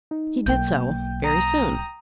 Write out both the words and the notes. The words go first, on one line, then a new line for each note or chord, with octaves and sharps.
He did so, very soon.
D#4
B1 A#3 G5 G6
A#5 D#6